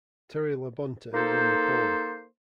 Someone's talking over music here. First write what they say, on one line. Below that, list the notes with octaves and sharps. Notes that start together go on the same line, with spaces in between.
Terry Labonte won the pole.
A#3 D#4 A4 C5